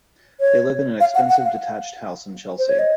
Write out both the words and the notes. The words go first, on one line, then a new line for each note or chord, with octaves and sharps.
They live in an expensive detached house in Chelsea.
C#5
F5
F#5
F#5
F5
C5
C#5
D#5